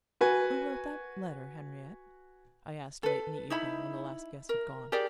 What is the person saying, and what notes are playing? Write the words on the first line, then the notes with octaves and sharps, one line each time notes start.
"Who wrote that letter, Henriette?" I asked late in the evening when the last guest had gone.
F#4 B4 G#5
A4 B4
D#4 E4 B5
A#4
G4 G#4 A#4 D5